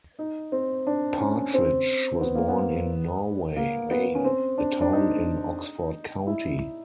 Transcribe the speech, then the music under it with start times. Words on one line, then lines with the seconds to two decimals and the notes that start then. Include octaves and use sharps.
Partridge was born in Norway, Maine, a town in Oxford County.
0.19 D#4
0.52 C4
0.87 D4
1.20 C#4
1.54 C4
2.21 B3
2.35 A#3
2.48 B3
3.56 A#3
3.91 B3
4.15 C#4
4.25 C4
4.58 D4
4.81 D4
4.93 D#4
6.27 E4